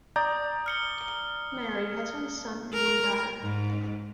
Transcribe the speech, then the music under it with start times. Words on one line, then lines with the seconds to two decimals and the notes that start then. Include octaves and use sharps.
Married, has one son and daughter.
0.16 D5 A#5 D#6 G6
0.66 F6 C#7 G7
2.73 A#4
3.43 G#2